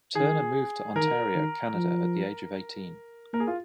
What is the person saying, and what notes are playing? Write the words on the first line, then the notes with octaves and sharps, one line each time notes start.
Turner moved to Ontario, Canada at the age of eighteen.
D#3 G#4
D#3 A#4
D#3
F3
A#3 A#4
G#4
F4